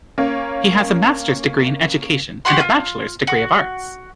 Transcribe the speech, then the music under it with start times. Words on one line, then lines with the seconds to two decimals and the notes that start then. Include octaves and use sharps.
He has a Master's degree in Education, and a bachelor's degree of arts.
0.18 A#3 C#4
2.45 F#4 G4 F#5 C6
2.60 F4
3.27 F#4